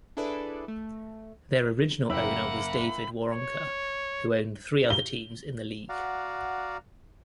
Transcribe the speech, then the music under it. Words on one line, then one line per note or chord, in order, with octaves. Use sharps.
Their original owner was David Waronker, who owned three other teams in the league.
D4 E4 G#4 A4 B4 D5
A3
F#1 A#3 E5 F#5 G5 A#5 B5
C#5
G7
F#4 D5 F5 F#5 A#5